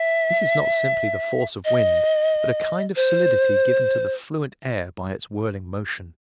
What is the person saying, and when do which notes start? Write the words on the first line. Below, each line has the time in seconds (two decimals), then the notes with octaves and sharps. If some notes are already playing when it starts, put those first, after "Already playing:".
This is not simply the force of wind, but a kind of solidity given to the fluent air by its whirling motion.
Already playing: E5
1.65 D#5
2.96 C5